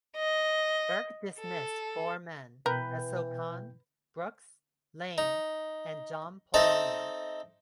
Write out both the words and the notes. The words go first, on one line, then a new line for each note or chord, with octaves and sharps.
Burke dismissed four men; Essau Khan, Brooks, Lane and John Polongeaux.
D#5
A4
B2 E3 A#4 B4 G5 G6
D#4
C4 D#4 A4 D#5 E5